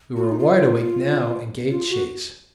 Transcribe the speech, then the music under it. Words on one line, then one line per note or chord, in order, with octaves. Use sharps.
We were wide awake now and gave chase.
F#4
F4
D#4
F4
F4
F#4